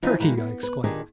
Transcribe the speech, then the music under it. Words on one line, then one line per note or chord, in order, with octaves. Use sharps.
"Turkey!" I exclaimed.
E3 F3 C#4 D#4 F4
D#3 E3 G#3 A#3
B3
B4
A#2 D#3 D4 G4 G#4